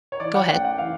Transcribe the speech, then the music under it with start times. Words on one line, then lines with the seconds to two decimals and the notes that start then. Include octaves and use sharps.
Go ahead.
0.12 C#5
0.20 E3 D5
0.35 F#5
0.49 A3 C#4 G5
0.64 F#5
0.78 E3 F5